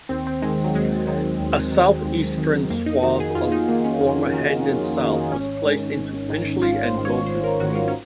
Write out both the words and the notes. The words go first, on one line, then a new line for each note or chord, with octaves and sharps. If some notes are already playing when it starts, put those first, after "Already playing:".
A south-eastern swathe of former Hendon South was placed into Finchley and Golders Green.
D#2 C4
C4
D#3 G#3
F#3
D#2 G#3
D#3 F#3
D#2
D#3
D#2
D#3
F2 A#3
D#4
D#3 F#4
G#4
F2 F4
D#4
D#3 A#3
C#4
F2
D#3
F2
D#3
G#1 C#4
G#2 D#3
G#1
G#2 D#3
G#1 F4
C5
G#2 D#3
C#5
G#1 C5
A#4
G#2 D#3 F#4
F4
C#4